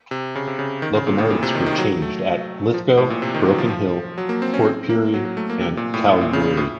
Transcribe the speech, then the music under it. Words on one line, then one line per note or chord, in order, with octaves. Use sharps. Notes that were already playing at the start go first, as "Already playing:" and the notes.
Locomotives were changed at Lithgow, Broken Hill, Port Pirie and Kalgoorlie.
C3
C#3
C3
C#3
D#3
C#3
A#2
A2
A#2
C3
D#3
D#3
F#3
A3
F3
A2
A#2
C3
D#3
F#3
F3
F3
F#3
A#3
C4
C#4
C4
A#3
F#3
F#3
A3
A#3
C3
A#2
A2
A2
A#2
C#3
A2